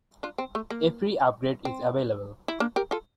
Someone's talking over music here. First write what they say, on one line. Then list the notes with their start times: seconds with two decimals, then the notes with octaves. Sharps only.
A free upgrade is available.
0.23 D4 F4
0.38 C4
0.55 A3
0.70 A#3
1.65 C4
2.48 E4
2.60 A#3 D4
2.76 G4 A#4
2.91 F4 A4